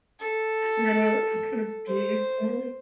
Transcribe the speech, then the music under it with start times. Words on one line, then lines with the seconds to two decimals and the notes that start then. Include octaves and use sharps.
I'm gonna I'm gonna be sorry
0.20 A4
1.87 C5